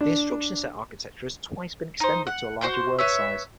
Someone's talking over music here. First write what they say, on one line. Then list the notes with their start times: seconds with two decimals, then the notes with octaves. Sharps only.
The instruction set architecture has twice been extended to a larger word size.
0.01 D4
2.00 D#4 C5
2.27 F#5
2.61 F#4 C5 C6 G6
2.99 B4 C#5 E5